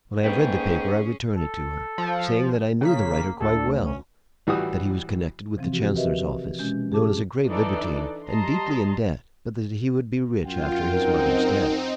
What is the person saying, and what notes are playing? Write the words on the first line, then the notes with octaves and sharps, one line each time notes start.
When I have read the paper, I return it to her, saying that I knew the writer quite well, that he was connected with the chancellor's office, known as a great libertine, and deeply in debt, but that he would be rich after his mother's death.
G#2 A3 A#3 C#4 G#4 B4 G5
A4
F3
C#3 A#3 B6
D2 A4
C#4
A1 E3 G3 F#4 G4 D#6
C3 E3 F3 C4
F#4 G4
F#4 G4 A#4 B4 D#5 E5
B2 G#3 C#4 G6
G4 G#4 A5 D6
E3 D4 D#4 A4 D5
G3 D#5 A5 A#5 C6
F#2 F4 F#5 G5
C4 D#4 A#4